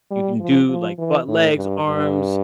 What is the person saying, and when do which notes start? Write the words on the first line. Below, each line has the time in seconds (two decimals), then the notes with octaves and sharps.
you can do, like, butt, legs, arms,
0.11 G3
0.40 F3
0.69 F3
0.98 E3
1.28 A2
1.56 G2
1.86 G2